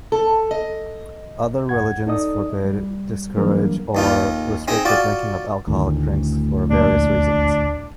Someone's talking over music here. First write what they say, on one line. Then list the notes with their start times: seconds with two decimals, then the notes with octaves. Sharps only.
Other religions forbid, discourage, or restrict the drinking of alcoholic drinks for various reasons.
0.12 A4
0.51 D#5
1.69 D2 G2 F#5 G#6
2.07 D#4 A4 D5 D#5 D#6
2.65 G3
3.37 E3 F#3 G3 A#3 D4 A#4
3.95 D#2 D#4 F4
4.68 C4 D#4 G#4 D#5
4.85 F4 F#4 D5
5.67 D2 A2 D#3
6.70 D#1 A#1 A#3 D4